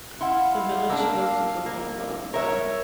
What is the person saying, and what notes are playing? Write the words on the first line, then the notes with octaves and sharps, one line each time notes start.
The village hosts a football club, the.
E4 F5 F#5 C6
A#3 D4 D6 E6
A#3
A#4 C#5 E5